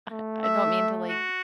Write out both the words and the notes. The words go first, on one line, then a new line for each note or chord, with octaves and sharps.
I I don't mean to, like,
A3
E5
F#4